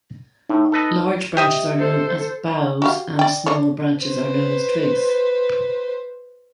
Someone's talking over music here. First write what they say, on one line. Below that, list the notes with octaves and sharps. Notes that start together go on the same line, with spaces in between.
Large branches are known as boughs and small branches are known as twigs.
A2 D#4
A4 B4 D#5
G4 D#5 E5
A4 C5
F#4 G4 F5
D5 G5
D4 C5 C#5
B4 C5